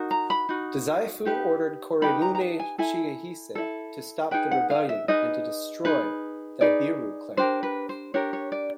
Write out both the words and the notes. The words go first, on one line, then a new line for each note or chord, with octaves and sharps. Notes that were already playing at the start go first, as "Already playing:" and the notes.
Dazaifu ordered Koremune Shigehisa to stop the rebellion and to destroy the Abiru clan.
Already playing: D#4 F#4 A#4
A#5
B5
D#4 F#4
D#4 G4 B4
D#4 G4 B4 B5
A#5
A#5
A5
G#5
E4 A4 G#5
E4 A4
D#4 G#4 B4 G5
F#5
F5
E5
D#4 G#4 B4 D#5
D#4 G#4 B4
D#4 G#4 B4 D5
D4 G4 A#4 C5
B4
C5
D4 G4 A#4 C#5
C#5
D5